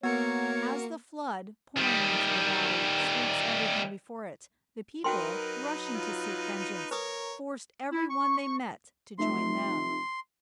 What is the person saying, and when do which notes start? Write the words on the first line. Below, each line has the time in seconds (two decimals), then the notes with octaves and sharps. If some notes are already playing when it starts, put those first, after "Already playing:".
As the flood, pouring into the valley, sweeps everything before it, the people, rushing to seek vengeance, forced every one they met to join them.
0.03 A#3 B3 F#4 A#4 C#5 C#7
1.77 D#3 G3
5.04 F#3 D#4 F#4 A#4 B4 G5 C6
5.94 F4
6.91 A#4 B4 C#5 D#6
7.92 E4
8.10 C#6
8.38 C#6
9.18 F1 A3 D#4 E5 C6